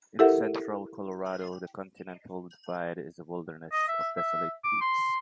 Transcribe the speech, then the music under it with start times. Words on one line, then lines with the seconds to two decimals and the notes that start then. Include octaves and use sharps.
In central Colorado the continental divide is a wilderness of desolate peaks.
0.19 E4 G4 A4 A#4 E5 F#5
3.72 D#5
3.88 E5
4.17 E5
4.64 D6
4.81 C6